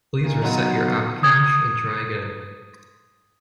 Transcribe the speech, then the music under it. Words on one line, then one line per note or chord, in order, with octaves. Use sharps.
Please reset your app cache and try again.
A#2 D#3 A#3
F#3 B3 D#4 F4 F#4
D#6 G#6